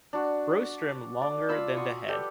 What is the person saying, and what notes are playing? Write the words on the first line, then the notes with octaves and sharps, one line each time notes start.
Rostrum longer than the head.
D4 F#4
D5
F4 F5 B5 E6
F#4 C6 C#6 D#6
G4 A4 B4 D5